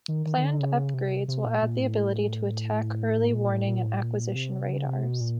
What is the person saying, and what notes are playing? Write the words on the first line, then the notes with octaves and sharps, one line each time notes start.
Planned upgrades will add the ability to attack early warning and acquisition radars.
D#3
D#3
D#3
D3
C#3
C3
C3
A#2
A#2
A2
A#2
A2
A#2
A2
A#2
C3
C#3
C3
B2
A#2